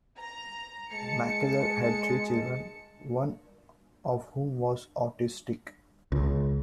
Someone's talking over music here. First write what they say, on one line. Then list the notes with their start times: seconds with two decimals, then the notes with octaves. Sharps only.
Mackellar had three children, one of whom was autistic.
0.18 A#5
0.92 G#3 A5 C#7
6.12 C#2